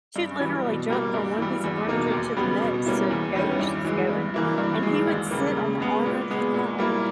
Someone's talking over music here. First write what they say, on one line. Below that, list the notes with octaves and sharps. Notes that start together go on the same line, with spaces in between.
she'd literally jump from one piece of furniture to the next to go where she's going, and he would sit on the arm of the couch
G2
E3 G3
B2
G3 A#3
G2
E3 G3
E2
B2 A#3 D#4
D#2
C#3 G3 B3
B2
G3 A#3 C#4 E4
E2
D#3 G3 C#4 E4
G2
E3 G#3
G2
E3 A#3 E4
G2
E3 G#3
D#2
C#3 G3 A#3
C#3
G#3 B3
A#2
G#3 B3
A#2
G3 A#3 E4